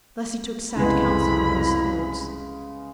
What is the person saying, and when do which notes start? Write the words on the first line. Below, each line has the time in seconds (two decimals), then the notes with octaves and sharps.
Thus he took sad council with his thoughts.
0.76 C2 F2 C#3 G#3 B3 E4 B5